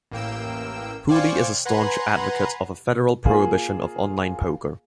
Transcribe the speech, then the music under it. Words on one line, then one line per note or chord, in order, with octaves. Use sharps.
Hooley is a staunch advocate of a federal prohibition of online poker.
A1 A#3 G5 E6
C5 D5 F5 G5 G#5 C#6
B4 F#5 G#5 A#5 C6
A#3 F4 G#4